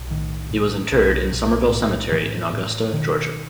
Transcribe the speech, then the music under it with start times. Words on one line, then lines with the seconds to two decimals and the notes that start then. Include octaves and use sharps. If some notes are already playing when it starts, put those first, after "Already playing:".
He was interred in Summerville Cemetery in Augusta, Georgia.
Already playing: B1
0.10 A2 D#3
0.51 A2
0.91 B1
1.32 B1
1.72 A2
2.12 A2 E3
2.53 A2
2.93 B2 D#3